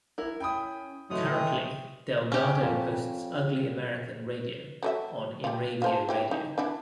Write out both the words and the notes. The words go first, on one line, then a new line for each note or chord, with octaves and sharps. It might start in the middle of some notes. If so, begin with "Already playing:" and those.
Currently, Del Gado hosts "Ugly American" Radio on Inravio Radio.
E4 A#4
C#4 G5 B5 D#6
A2 E3 F#3 G#3 A3 D#6
G5
C#4 G4
F2
F#3 A3 E5
G3 F4
F4 C5 A5
E4 G4 C#5
D#4
D4 E4 F#5